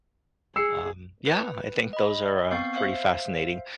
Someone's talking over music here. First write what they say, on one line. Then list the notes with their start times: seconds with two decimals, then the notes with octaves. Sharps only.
Um, yeah. I think those are, uh, pretty fascinating.
0.56 G#4 E6 C7 C#7
1.26 B4
1.93 D#5 B5
2.51 B3 C4 F5 C#6 G6 C7
2.76 C5 E5 F5